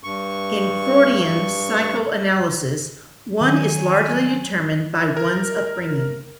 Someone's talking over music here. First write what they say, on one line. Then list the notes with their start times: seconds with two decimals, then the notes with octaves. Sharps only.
In Freudian psychoanalysis, one is largely determined by one's upbringing.
0.04 G2 C#6
3.41 D#3 F#3 G#5
5.17 A#4